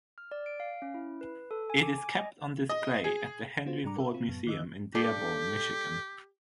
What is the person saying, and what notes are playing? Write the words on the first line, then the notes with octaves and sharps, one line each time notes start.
It is kept on display at the Henry Ford Museum in Dearborn, Michigan.
F6
D5
D7
F5
C#4
E4
B4
A4
G#5
D6
G#5
D#5
D#5
G#4
B3 F4 F#4 C5
G#2 G3 D4 A#5 D6
A#4 E5
C4 F4
F#2 A#2 F#3 B3
D#3 D#5 E6
G2 G4 A4 D5